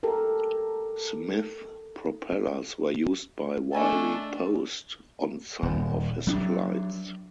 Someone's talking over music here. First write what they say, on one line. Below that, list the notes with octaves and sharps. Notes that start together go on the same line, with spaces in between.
Smith propellers were used by Wiley Post on some of his flights.
G4 A4 A#4
A3 D4 D#5 G#5 A5
D#1
F#3 C4 D4